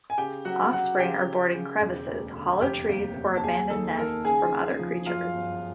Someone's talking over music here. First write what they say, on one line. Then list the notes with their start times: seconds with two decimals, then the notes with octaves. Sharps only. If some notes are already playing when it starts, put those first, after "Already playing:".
Offspring are born in crevices, hollow trees, or abandoned nests from other creatures.
0.10 G#5
0.18 C#3 G4 G5
0.45 F#3 F#4 F#5
0.72 F#3 F#4 F#5
0.99 C#3 G4 G5
1.26 C#3
1.54 C#3
1.81 E1
2.07 D2
2.35 D3
2.62 F1 G4 G5
2.89 D#2
3.16 D#2
3.37 A5
3.43 D#2 G#4 G#5
3.70 D#3 A4 A5
3.97 D#3 A#4 A#5
4.25 C#3 G#4 G#5
4.52 C#3
4.79 F3
5.06 F#2 F4 F5
5.34 G1